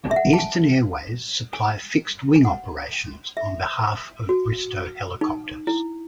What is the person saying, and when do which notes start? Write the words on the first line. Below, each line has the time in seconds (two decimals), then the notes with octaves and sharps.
Eastern Airways supply fixed wing operations on behalf of Bristow Helicopters.
0.11 E5
0.16 F#5
0.33 A5
0.39 G#5
1.53 G#5
2.36 G#5
2.45 F#5
3.37 E5
4.29 F#4
5.21 D#4
5.67 E4